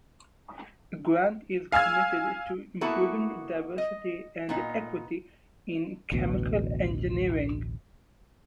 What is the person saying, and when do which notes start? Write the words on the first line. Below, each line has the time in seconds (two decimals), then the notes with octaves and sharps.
Grant is committed to improving diversity and equity in chemical engineering.
1.72 F5 G#5 E6 F6 G#6
2.81 A#3 B3 E4 F#4 A4 B4
3.78 D#5
4.49 A#2 B3 D#4
6.12 A1 D2 B2